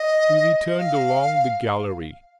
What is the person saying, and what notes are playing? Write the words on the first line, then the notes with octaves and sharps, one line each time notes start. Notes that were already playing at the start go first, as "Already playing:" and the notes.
We returned along the gallery.
Already playing: D#5
F5